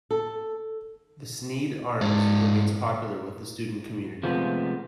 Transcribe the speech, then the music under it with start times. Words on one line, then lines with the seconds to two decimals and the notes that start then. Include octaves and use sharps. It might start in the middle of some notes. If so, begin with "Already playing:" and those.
The Sneyd Arms remains popular with the student community.
0.11 A4
2.01 G#2 D5
4.23 C3 F3 G#3 A3 B3